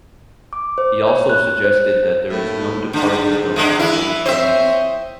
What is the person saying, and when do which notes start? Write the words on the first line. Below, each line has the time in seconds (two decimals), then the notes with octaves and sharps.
He also suggested that there is no departing tone in Old Chinese.
0.53 D6
0.78 C5
1.08 C#5
1.29 F#6
1.64 C5
2.30 D#2 A2
2.93 G#2 D3
3.56 D3 G#3
3.79 E3 E4
4.25 C4 C5 C#5 D#5 E5